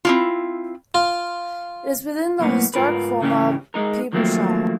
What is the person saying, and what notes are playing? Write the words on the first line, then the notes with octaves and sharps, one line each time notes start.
It is within the historic former Peeblesshire.
C4 E4 F4
F4
B1 A2 A#3 B3
G#2 F4 A#4 B4
G#2 C#3 E3 C#4 G4
G#3 D#4 A#4
D#3 F3 F#3 A3 A#3 C4